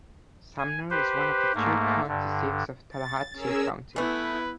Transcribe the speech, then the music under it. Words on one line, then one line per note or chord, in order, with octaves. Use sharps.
Sumner is one of the two county seats of Tallahatchie County.
G#5
G4 B4 C5
G#2 A3 A#3
G2 D3
A6
C#4 G#4 A#4 E6
E3 A3 B3 E4 B4